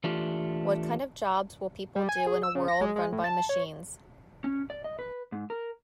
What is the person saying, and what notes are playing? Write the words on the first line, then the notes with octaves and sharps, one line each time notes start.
What kind of jobs will people do in a world run by machines?
E3 A3 D4 F4 G4
G3
G#5
G#4
E6
C#3
A#6
G#3
G#3
A2
A5
C#5
C#4
D5
D#5
B4
G#2
A#4